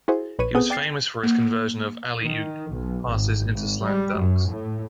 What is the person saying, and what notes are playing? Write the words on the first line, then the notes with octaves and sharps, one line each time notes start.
He was famous for his conversion of "alley oop" passes into slam dunks.
E4 F#4 G#4 C5
A#1 B4 C#5 D#7
B3 C4 G#4 A4 D#6
D5 G5 D6 A6 C7
A#3
D#3
B1
G#1
G#1
G3
F#2
A2